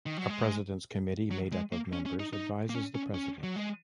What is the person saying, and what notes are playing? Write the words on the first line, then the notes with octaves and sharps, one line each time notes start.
A President's Committee, made up of members, advises the president.
D#3
F#3
G#3
F#3
G#3
A#3
C#4
C#4
D#4
D#4
A#3
C#4
C#4
C#4
F#3
G#3